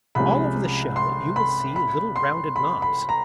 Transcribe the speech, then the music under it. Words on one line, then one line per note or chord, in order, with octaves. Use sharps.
All over the shell you will see little rounded knobs.
C2 C3 F3 G#3 C#4 B5
C6
B5
B5
C6
B5
B5
A#5